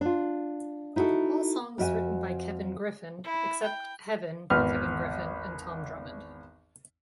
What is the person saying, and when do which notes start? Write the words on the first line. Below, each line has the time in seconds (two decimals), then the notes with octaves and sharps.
All songs written by Kevin Griffin, except "Heaven" by Kevin Griffin and Tom Drummond.
0.01 D4 F4
0.96 D#4 E4 F#4 G4 A4
1.78 F2 F#4 E5 G5 G#5
3.24 E4
3.63 G5
4.50 G#1 E2 B4 F6